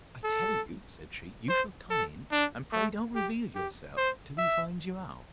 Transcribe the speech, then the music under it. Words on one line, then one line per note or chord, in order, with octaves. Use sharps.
I tell you, said she, you shall come in; and pray don't reveal yourself till he finds you out.
A4
C5
A4
D4
A3
G4
G4
C5
E5